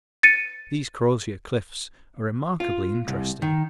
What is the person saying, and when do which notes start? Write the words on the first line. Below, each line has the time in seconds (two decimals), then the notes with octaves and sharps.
These Crozier cliffs are remarkably interesting.
0.23 A6 C#7 D#7
2.60 F4
3.08 C2
3.42 D#3